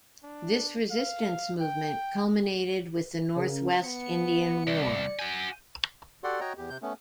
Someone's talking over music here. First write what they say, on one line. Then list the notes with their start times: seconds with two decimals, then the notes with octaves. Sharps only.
This resistance movement culminated with the Northwest Indian War.
0.23 D4
0.91 F5
1.60 G5
3.36 C#3 A#4
3.84 B3 C#7
4.67 C2 D5
5.19 F#4 G#5 G6
6.24 F#4 G4 A4 D5 F#5 C6
6.40 F#4 C#5 D#5 G5 A#5
6.57 E2 G4
6.70 C3 G6
6.82 A3 B3 C#4